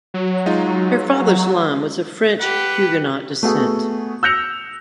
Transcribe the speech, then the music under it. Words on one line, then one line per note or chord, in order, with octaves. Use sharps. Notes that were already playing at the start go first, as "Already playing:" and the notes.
Her father's line was of French Huguenot descent.
F#3
G#3 D#4 F4
G4 B4 F#5
A3 B3 F#4 G#4
E6 F#6 G6 A#6 C#7 F7